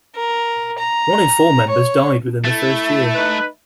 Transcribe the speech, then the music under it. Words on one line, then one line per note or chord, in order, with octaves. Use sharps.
One in four members died within the first year.
A#4
A#5
C#5
A3 E4
D#4 B4